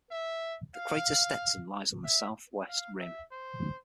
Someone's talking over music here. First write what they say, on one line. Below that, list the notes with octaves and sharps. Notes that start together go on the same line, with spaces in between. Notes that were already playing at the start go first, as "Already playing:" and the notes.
The crater Stetson lies on the southwest rim.
E5
F5
E5
F5
E5
C5